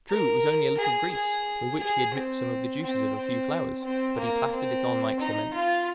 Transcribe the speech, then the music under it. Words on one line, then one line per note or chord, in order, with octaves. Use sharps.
True, it was only a little grease, with which he had mixed some of the juices of a few flowers, but he plastered it on like cement!
A#4
G#4
G#4
G#4
C4
C4
C4
C4
A#3
C4
D#4
F4